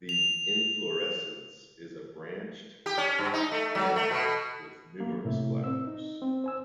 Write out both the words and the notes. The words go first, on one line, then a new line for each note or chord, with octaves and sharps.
The inflorescence is a branched panicle with numerous flowers.
F7
G4
C#4
G2
D#4
A3
F#3
A3
B2
A#3
A2 C3 E4
C4 E6
D#4
C4
C5 G#5 E6